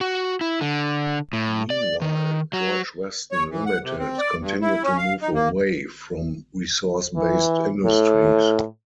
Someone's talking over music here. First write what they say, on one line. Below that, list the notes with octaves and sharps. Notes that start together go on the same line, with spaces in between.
Meanwhile, George Weston Limited continued to move away from resource-based industries.
F#4
E4
D3
A2
D5
D#3
F#3
C#5
E3
F#5
C3
C4
D5
G2
E4
C#4
F5
D#4
A#3
E3
A2